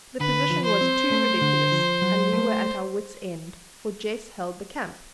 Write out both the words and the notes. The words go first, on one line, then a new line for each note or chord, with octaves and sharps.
The position was too ridiculous, and we were at our wits' end; for Jess held the camp.
D3 B4
F3
C5
C4
A3
D3
F3
F#3
A3